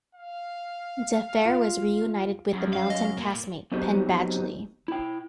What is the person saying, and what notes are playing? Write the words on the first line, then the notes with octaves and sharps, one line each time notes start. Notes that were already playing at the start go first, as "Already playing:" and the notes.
DeFer was reunited with "The Mountain" castmate Penn Badgley.
F5
F4
F#2
F5
D#5
A#2
F#3 B3 C4 D#4 F#4 G4
E4 G5